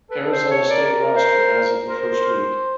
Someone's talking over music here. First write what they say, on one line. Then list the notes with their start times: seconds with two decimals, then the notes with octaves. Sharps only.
Arizona State roster as of the first week.
0.10 A4 B4
0.30 C5
0.51 C#5
0.70 A#4 D5
0.85 D5
1.15 C5
1.89 A#4 C5